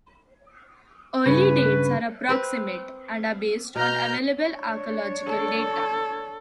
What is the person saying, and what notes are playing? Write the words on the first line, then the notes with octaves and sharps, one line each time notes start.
Early dates are approximate, and are based on available archaeological data.
G2 C#3 B4
C4 B4 C5
B2 A#5 F6 G6
D4 C#5
A4